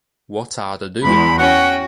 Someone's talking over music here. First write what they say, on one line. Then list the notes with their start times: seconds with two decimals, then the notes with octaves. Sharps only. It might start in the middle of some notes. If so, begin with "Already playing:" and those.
What are the doing?
1.03 E2 G#3 B5
1.38 C#4 F#4 F#5 G5